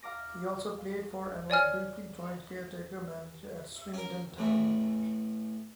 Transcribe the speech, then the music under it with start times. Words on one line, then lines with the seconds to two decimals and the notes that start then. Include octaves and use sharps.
He also played for and was briefly joint caretaker manager at Swindon Town.
0.02 F5 A#5 D6 A#6
1.50 C#5 D5 G#5 F6
3.94 C#4 A#4
4.38 A1 E2 A3